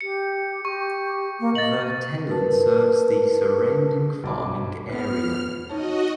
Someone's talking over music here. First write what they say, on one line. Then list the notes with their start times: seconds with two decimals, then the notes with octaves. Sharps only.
The town serves the surrounding farming area.
0.01 G4 C#7
0.65 G4 C#6
1.40 A#3
1.55 D#5 A6 F#7
2.27 A#4 B4 A5
4.23 B1 D6
4.89 B3 B4 F6
5.69 D#4 F#4 C#5 D#5 A5